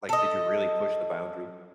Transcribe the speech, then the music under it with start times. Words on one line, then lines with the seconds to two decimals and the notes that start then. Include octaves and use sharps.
Like, did you really push the boundary?
0.09 A4 D#5